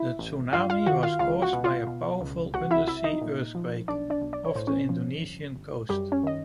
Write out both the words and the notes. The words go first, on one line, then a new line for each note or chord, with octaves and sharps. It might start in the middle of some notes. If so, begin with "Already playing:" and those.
The tsunami was caused by a powerful undersea earthquake off the Indonesian coast.
Already playing: E4 E5
A1
G2 F4 F5
F4 F5
D#3 F#4 F#5
F4 F5
C#2 F4 F5
F#4 F#5
B2
F4 F5
B2
C#2
C2 F#4 F#5
E4 E5
C2 E4 E5
D#4 D#5
A#2
F3
B1 D4 D5
D4 D5
B1
D5
C#5
A2 C5
C#4 C#5
F3
G1
G1
F#2 G3 G4
C#4 C#5
D#3 D#5